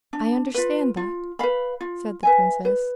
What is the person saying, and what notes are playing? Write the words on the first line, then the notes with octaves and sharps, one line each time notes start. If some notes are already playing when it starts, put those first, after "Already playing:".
"I understand that," said the princess.
D4
F4 B4
F4
B4 F5 B5
F4
B4 E5 G#5
B4